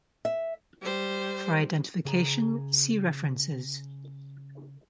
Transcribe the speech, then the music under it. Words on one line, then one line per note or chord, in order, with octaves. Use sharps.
For identification see references.
E5
G3 C5
C#3 G#4 G#5 A#5